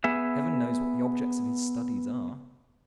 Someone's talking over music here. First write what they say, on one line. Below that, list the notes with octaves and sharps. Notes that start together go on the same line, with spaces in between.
Heaven knows what the objects of his studies are.
B3 G#4 E5